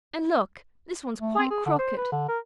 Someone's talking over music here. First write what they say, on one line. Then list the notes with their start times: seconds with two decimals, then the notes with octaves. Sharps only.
And look, this one is quite crooked!
1.20 A3
1.38 C4
1.51 G#4
1.66 D3
1.79 C5
1.97 B4
2.12 D3
2.28 A#4